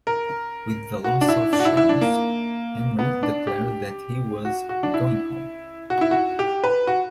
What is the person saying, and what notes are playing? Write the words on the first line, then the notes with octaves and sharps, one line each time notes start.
With the loss to Sheamus, Henry declared that he was "going home".
A#4
F#4
D4
E4
D4
F#4
E4
E4
D4
A#3
B3
D4
G4
F#4
F#4
D4
E4
F#4
E4
F#4
G4
B4
F#4